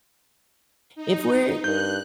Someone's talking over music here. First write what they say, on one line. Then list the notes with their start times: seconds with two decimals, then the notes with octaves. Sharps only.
if we're
0.96 D#4
1.64 G2 D#4 A#4 F#6 G6